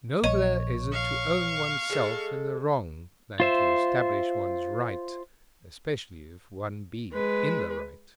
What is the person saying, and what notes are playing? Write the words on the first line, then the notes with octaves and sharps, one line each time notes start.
Nobler is it to own oneself in the wrong than to establish one's right, especially if one be in the right.
A#1 C#5 D#5 D#7
F5 C#6
G#3 A4
F4 C5 E5
G#3 B4